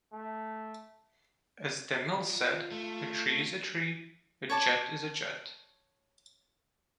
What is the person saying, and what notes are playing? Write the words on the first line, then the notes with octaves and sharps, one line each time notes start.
As De Mille said, a tree is a tree, a jet is a jet.
A3
F4
A3
C#5 A5 D6